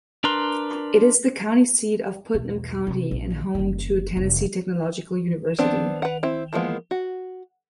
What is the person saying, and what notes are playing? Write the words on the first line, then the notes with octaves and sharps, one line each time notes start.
It is the county seat of Putnam County and home to Tennessee Technological University.
D4 A#4 B4 A#5 C6
B1 E2
F1 C3
A#1
F#1 D#3
F1
B3 C4 D4
B4 F#5
C4 E4
E3 F3 G#3 A#3 B3
F#4